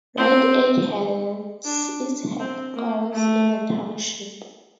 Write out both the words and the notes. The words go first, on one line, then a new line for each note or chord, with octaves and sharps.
Rite Aid has its headquarters in the township.
C4
D4
C4
A#3
A3